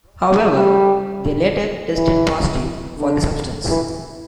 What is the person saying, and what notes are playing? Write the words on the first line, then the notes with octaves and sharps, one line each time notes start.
However, they later tested positive for the substance.
G3
E3
D3
E3